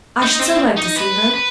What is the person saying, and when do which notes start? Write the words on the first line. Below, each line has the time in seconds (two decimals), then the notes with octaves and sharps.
I should so like to see her.
0.22 D#4
0.40 C4
0.77 D#4
0.96 B4
1.33 B4